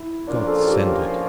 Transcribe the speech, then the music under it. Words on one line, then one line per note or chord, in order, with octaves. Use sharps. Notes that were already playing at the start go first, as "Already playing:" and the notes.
God send it!
Already playing: E4
A#2 F3 A#3 C#4 D4 F4
A4
G4